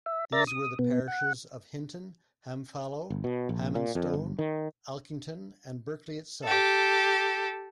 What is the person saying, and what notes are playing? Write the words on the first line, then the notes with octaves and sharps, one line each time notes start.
These were the parishes of Hinton, Hamfallow, Ham and Stone, Alkington, and Berkeley itself.
E5
A#4 D5 E5 A#5 A6
D#6
B2 B3
F#5
G1
B2
A#1
A#2
F2
G1
D#3
G4 A4